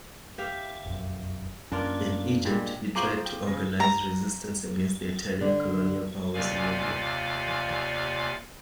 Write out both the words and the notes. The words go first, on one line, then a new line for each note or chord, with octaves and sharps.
In Egypt, he tried to organize resistance against the Italian colonial powers in Libya.
G4 E5 F5
F1 B1 F#2
F#2 A#3 C#4 D4 F4
A#2 G3 G#3
F3 F4 G#4 A#5 C#6 D6 G6
G5
C#3 A#6
A#5
D3
D#2 C3 F4 D5 F5 G#5